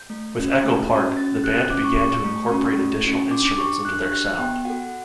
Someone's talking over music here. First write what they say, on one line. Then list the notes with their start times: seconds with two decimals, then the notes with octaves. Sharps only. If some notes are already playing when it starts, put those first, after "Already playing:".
With "Echo Park", the band began to incorporate additional instruments into their sound.
Already playing: G6
0.10 A3
0.37 C#4 F#4
0.64 A3
0.90 C#4 F#4
1.17 C#4 A6
1.44 G4 F#6
1.70 C#4 D6
1.84 C#6
1.97 G4 C#6
2.11 C#6
2.24 A3
2.51 C#4 F#4
2.78 A3
3.04 C#4 F#4
3.31 D4 D6
3.47 D6
3.58 G4 C#6
3.85 D4 F#6
4.12 G4 F#6
4.38 B3 G5
4.65 F#4 A4 F#5